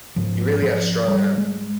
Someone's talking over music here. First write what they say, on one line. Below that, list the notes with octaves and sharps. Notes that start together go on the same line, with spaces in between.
He really had a strong arm.
G#2 F3
F3
G3
G#3